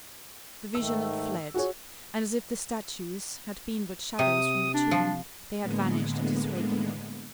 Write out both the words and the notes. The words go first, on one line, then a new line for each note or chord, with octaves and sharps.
The vision had fled; and as if the statues had been but shadows from the tomb, they had vanished at his waking.
G#2 D#3 A3 E6
F#4 G#4 C#5
C3 D#6
D4
F3
A2 D3 G#3 A#3 B3